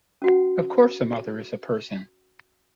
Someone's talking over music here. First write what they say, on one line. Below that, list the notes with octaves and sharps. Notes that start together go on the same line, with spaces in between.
Of course a mother is a person!
C#4 F#4 F#5